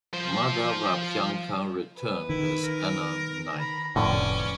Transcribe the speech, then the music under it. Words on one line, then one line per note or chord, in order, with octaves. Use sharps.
Madhav Abhyankar returned as Anna Naik.
F3 C5
B4
D#3 E4
A#4
A#5 B5
F1 A2 D3 C#4 B4 D5